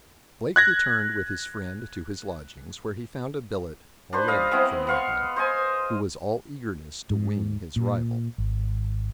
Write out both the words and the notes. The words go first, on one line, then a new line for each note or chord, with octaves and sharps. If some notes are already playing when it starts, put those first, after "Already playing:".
Blake returned with his friend to his lodgings, where he found a billet already from Redmond, who was all eagerness to wing his rival.
F#6 G#6 A#6
D4 B4 C5
G3 D#5 F5
G#3 B3 C4 E4
B3 F5 C#6
C5 D#5 G#5
G#2
A#2
G#1